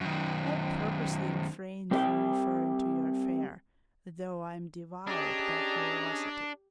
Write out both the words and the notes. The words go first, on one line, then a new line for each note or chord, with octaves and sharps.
I purposely refrained from referring to your affair, though I am devoured by curiosity.
F#2 D#3
G3 C4 G4 D#5 E5 G5
C#4 D4 G4 G#4 D#5 A#5